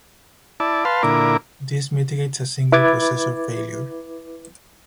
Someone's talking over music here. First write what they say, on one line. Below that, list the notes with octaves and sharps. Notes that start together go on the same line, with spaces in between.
This mitigates a single processor failure.
E4 D5 A5
B4 F5 A5 C6
A#2 D3 E4 A#4 D6
E4 B4 D6 G#6 A6